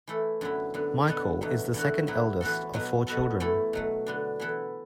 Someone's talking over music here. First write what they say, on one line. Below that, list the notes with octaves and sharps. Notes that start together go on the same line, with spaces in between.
Michael is the second eldest of four children.
E3 A3 E4 A4
F#2 D3 F#3 B3 E4
F#2 D3 B3
B2 B3 D4 A4
E2 B2 F#3 A3
E2 D3 A3 F#4
A2 F#3 B3 E4
E3 B3 F#4 A4
B2 F#3 B3
B2 B3 F#4 A4
E2 E3 A3 E4 A4
B2 F#3 A3
D3 B3 D4
E3 B3 E4 A4